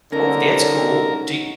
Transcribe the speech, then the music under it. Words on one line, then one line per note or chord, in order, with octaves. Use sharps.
Oh, that's cool. Do y
D3 C#4 D#4 F#4 A#4